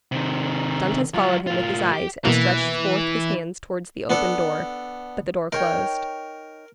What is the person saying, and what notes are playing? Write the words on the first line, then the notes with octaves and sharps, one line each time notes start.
Dantes followed him with his eyes, and stretched forth his hands towards the open door; but the door closed.
C3 D#3
F#3 F4
A2 F4
G4
B2 E3 A#3
B3 D4 A4
D#4 A#4 C#5 G5